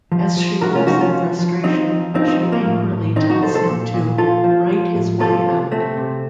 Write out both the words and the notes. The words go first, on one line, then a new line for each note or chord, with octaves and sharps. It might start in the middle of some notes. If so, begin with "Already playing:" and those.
As she leaves in frustration, she angrily tells him to "write his way out".
F3
F3
C3 F#4 A#4
C#4 F4
F3 D#4 F#4
C#4 F4
F3
F3
F3 C4 D#4
F3
F3 C4 D#4
C4 D#4
F3
A#3
A2
A2
D#3 C4 D#4
D#4 F#4
C3 A4 C5
A4 C5
A#2
A#2
F3 F4 A4
F3
F3
A2
C3 F4 A4
C3
C3 A3 C4
C3